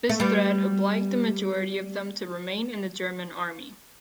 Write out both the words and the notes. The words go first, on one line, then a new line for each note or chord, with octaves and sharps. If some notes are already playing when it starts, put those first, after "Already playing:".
This threat obliged the majority of them to remain in the German army.
A3
G3 B3